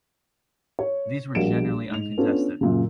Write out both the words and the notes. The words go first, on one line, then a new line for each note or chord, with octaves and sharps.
These were generally uncontested.
C#5
A#1 G3 A#3 F#4 D7 E7
G#2 F7
B3 C#4 D4 F4 A4
F#2 A#2 C#3